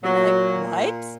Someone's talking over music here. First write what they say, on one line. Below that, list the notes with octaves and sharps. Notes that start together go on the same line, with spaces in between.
And you're like, "What?"
A#2 F#3